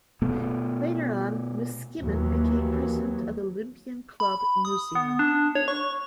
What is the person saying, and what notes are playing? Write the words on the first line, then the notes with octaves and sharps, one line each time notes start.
Later on Miskimmin became president of the Olympian Club New Zealand.
B2 A3 B3
D#2 E3 F#3
B5
D#6
B3
D4
C#5
C#6